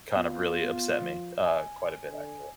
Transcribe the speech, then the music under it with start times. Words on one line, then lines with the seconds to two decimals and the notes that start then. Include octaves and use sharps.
kind of really upset me, uh, quite a bit, actually.
0.16 B3 F4
1.02 F3
1.46 G#5
2.10 D3